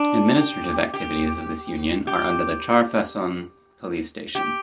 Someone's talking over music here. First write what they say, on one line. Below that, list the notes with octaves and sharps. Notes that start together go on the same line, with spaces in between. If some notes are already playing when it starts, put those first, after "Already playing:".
Administrative activities of this union are under Char Fasson police Station.
Already playing: D4
G4
G4
G4
G4